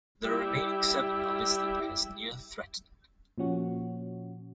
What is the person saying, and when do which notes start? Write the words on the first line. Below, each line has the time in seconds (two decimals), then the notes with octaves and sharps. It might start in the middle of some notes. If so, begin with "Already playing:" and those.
The remaining seven are listed as Near Threatened.
0.25 G3 E4
3.38 A#2 F3 C#4 F#4